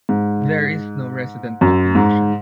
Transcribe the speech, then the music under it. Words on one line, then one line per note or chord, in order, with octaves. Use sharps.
There is no resident population.
G#2
F#2
G#2